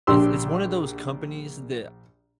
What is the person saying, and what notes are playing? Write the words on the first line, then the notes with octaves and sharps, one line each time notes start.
it's it's one of those companies that
A#1 D4 G4 C6 E6